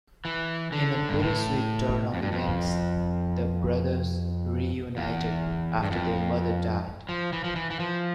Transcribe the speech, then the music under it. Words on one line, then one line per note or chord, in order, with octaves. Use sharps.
In a bittersweet turn of events, the brothers reunited after their mother died.
E3
D3
G2
A2
F2
G2
F2
E2
G2
F2
F3
E3
F3
E3
E3
F3